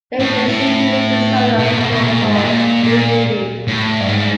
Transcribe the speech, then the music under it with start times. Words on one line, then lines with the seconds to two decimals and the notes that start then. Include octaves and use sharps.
Later Shane released a solo record called "Blue Movie".
0.20 A2
0.48 A2
1.59 B2
1.73 A#2
1.80 B2
1.92 B2
2.00 A#2
2.21 G#2
2.35 A2
2.43 A#2
2.83 A#2
3.68 A2
4.00 G2
4.08 G#2